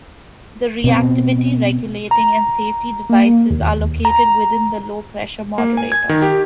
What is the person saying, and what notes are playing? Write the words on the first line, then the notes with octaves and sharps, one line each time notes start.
The reactivity regulating and safety devices are located within the low-pressure moderator.
B2 C4
A#5
A#3
D#2
A#5
A#3
G#5
G#6
D#3
G4